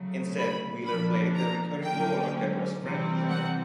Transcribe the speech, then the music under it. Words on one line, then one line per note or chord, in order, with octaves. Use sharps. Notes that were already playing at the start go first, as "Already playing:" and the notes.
Instead, Wheeler played the recurring role of Debra's friend, Linda.
Already playing: C#3 F#3 A3
B5
A#2 F3 A#3 D4 B5
A#5
D3 F#3 A#3 C#4 G5
C3 E3 G3 C4
F#5